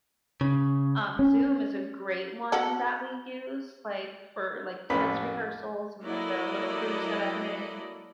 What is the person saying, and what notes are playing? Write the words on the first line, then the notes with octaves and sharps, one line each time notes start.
Um, Zoom is a great one that we use, like, for, like, dance rehearsals and, like, the little groups that I'm in.
C#3
C#4
F#4 A4
A1 F2 C#4 A4 B4 B5
F#3 A#3 E4 A4 D5 D#5